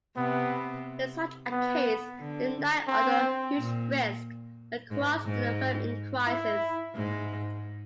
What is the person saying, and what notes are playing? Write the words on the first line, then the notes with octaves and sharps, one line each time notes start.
In such a case, the knight, under huge risk, acquires the firm in crisis.
C3 B3
B3
D3
C4
A#2
G#2
G#2
E4
G#2